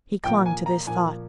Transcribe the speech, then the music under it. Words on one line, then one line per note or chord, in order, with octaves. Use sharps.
He clung to this thought.
A#2 F3 A#3 G5
G#5
A#5
A#2 F3 A#3 G#5